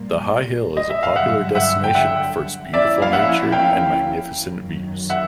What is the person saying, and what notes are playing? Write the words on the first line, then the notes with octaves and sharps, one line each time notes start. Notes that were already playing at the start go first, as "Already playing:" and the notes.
The high hill is a popular destination for its beautiful nature and magnificent views.
Already playing: A#2 G3 A#3
D#5
E5
F5
G2 D3 F#3 E5 F#5
E5 F#5
G5
E5 F#5
F3 A#3 C#4 E4 D5 E5
F5
E5 F#5
F5 G5
F#2 D#3 F#3
E5 F#5